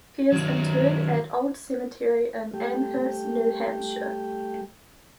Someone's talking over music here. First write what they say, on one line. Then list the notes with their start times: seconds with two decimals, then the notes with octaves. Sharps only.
He is interred at Old Cemetery in Amherst, New Hampshire.
0.32 D#3 F#3
2.54 G3 A3 G4